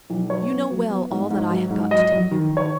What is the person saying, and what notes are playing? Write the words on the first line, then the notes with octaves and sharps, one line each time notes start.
You know well all that I have got to tell you.
B1
F#3 C#5
B3
F#3
B3
G#2
G#2
F#3
G#2
F#3 D#5
F#2
D#3
D#3
C#5